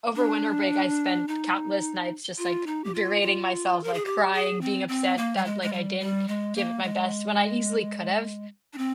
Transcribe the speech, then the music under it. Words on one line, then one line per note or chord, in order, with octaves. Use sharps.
over winter break I spent countless nights just, like, berating myself, like, crying, being upset that, like, I didn't give it my best when I easily could have,
D4
D#4
F4
D#4
G4
F4
F4
A#4
G#4
G4
G#4
C4
C4
A#3
G3
G#3
G#3
G3
G3
G#3
A#3
G#3
D4
C4